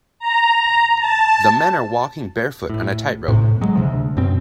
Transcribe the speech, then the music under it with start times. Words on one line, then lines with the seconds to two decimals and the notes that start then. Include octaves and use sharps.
The men are walking barefoot on a tightrope.
0.19 A#5
0.99 A5
2.69 A2
3.28 A2 C3
3.61 F#3 G#3
3.76 D2 C3 F3
4.17 F#2 B2 C4